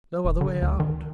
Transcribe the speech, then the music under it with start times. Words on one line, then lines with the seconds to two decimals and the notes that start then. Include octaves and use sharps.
No other way out.
0.25 E1
0.41 D3
0.62 D2
0.80 D#3